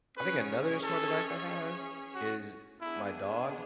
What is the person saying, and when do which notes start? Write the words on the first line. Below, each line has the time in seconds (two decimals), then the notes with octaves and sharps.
I think another smart device I have is my dog.
0.17 C#4 G#4 B4 C#5
0.84 A4
2.15 F#4
2.80 B3 D4 E4 G#4